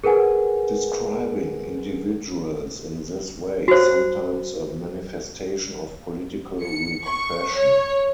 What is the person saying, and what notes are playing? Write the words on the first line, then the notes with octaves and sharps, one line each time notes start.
Describing individuals in this way is sometimes a manifestation of political repression.
G#4 A#4 B4 F#5 G#5
F#4 C5
C#7
C#6
C#5